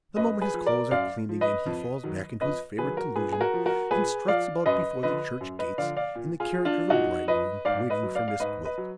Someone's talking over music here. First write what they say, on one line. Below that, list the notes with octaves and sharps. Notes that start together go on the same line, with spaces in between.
The moment his clothes are cleaned again he falls back into his favorite delusion, and struts about before the church gates, in the character of a bridegroom, waiting for Miss Gwilt.
F#2 B4 D#5
G#4 B4
F3
A#4 D5
F#2 D5 F5
F3
B4 D#5
F2
D#3 F#3
F2 B4 D#5
D#3 F#3 G#4 B4
F#4 A#4
A#2 G#4 B4
G#4
F#4 A#4
F3
F#4 A#4
A#2 G#4 B4
F3 D5 F5
F#2 B4 D#5
D3 F3 B4 D#5
F#2
B4 D#5
D3 F3 D5 F5
D5 F5
A#2
F4 G#4
F3
D4 F4
A#2 D#4 F#4
F3 B4 D#5
G#2 D5 F5
B4 D#5
F#3
D5 F5
F5
G#2 B4 D#5
B4 D#5
F#3